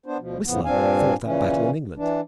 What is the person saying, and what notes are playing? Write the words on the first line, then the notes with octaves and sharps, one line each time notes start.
Whistler fought that battle in England.
B3 D4 C5
D2 B2 F3
F2 A2 C#3 F3 B3
G2 A#2 C4 D4 F5 G#5
A#2 C#3 E3 C#4
E3 D4